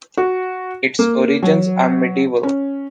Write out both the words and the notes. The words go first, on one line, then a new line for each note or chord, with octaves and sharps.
Its origins are medieval.
F#4
A#3
F#3
C#4